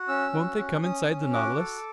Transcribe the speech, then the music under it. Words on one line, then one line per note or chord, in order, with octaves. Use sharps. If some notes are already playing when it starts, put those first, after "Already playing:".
"Won't they come inside the Nautilus?"
Already playing: F#4
C#4 E6
F#4
C#4
C#4 D#6
C#4
F#4 D6
A4